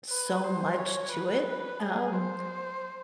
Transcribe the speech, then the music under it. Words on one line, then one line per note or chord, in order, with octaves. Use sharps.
so much to it, um
B4
C5
C#5
B4
G#4
C5